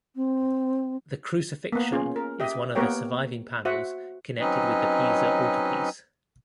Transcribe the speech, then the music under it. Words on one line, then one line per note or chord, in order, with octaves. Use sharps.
The "Crucifixion" is one of the surviving panels connected with the Pisa Altarpiece.
C4
A#3 B3
C#4 F4 G#4
A#4
G4 D#5 E5
A#3 B3 G4 A#4 C#5 G5
F#4 C5 E5 F#5
F#3 C4 C#4 D#4 B4 D#5